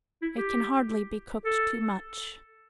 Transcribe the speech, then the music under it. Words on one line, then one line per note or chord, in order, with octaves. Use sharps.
It can hardly be cooked too much.
E4
G4
A4